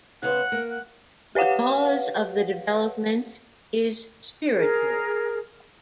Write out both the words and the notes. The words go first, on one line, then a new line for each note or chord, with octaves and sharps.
The cause of the development is spiritual.
C#3 B3 C5 F#5
A#3
F#5
G4 B4 C#5 F5 F#5
G#4 A#4